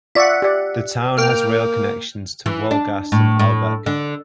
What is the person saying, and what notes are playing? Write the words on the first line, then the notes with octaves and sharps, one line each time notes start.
The town has rail connections to Wolgast and Ahlbeck.
F4 D5 E5 F#5 C#6
G4 D5
A#3 G5 F6
E3
D4
A2
A2
D3